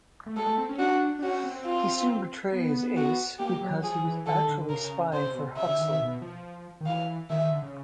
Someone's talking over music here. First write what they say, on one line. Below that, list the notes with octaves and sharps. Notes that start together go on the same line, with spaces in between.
He soon betrays Ace because he was actually spying for Huxley.
A3
G#3 A4
A3
C4
C#4
D4 F#4
D4
C#4 F#4
C4
F4
B3
F#4
A#3 G4
F#3
F3 G#4
E3
D#3 A4
D3
C#3 A#4
C#3 C5
C3
B2
C3
C#3 E5
D3
D#3
D#3
B2
F3
D#3
E3 F5
D#3 E5
D#3
D3
C#3